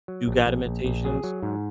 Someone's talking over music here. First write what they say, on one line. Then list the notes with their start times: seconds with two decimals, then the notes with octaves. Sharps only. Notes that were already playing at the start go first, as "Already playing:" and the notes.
do guided meditations.
0.08 F#3
0.27 A#1
0.46 A#1
0.66 A#1
0.84 A#1
1.05 F#3 G#4
1.24 F#3
1.42 G#2